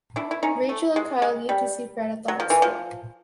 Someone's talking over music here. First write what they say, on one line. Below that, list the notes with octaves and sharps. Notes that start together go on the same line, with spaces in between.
Rachel and Kyle leave to see Fred at the hospital.
D4 E4
E4
C#4 D#4
A3
G#3
G#3
G3
F#3
F3
E3
F3